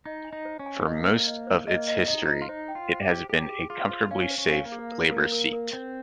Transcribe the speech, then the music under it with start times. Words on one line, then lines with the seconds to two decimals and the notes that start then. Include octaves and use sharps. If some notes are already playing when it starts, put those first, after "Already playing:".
For most of its history, it has been a comfortably safe Labor seat.
0.05 D#4 D#5
0.25 G#5
0.33 D#4
0.45 C5
0.59 C#4
0.66 G#5
0.81 C4
0.85 A#3 D#5
1.07 C5
1.27 D#5
1.47 C5
1.67 A#3 D#5
1.88 D#5
2.08 D#4 D#5
2.28 C5
2.42 F4
2.49 D#4 C5
2.68 G5
2.75 F4
2.89 C5
3.02 G4
3.09 C5
3.30 G4 G#4
3.49 G#4
3.70 F4 G#4
3.91 C5
4.11 C#4 F5
4.31 C5
4.38 C#4
4.52 F5
4.65 A#3
4.72 G#4
4.92 A#4
5.11 A#4
5.32 A#4
5.53 A#4
5.73 C4 A#4